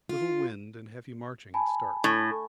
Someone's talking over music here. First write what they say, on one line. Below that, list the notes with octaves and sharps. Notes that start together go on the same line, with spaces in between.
Little wind and heavy marching at start.
F4
G#5 A5 B5
A2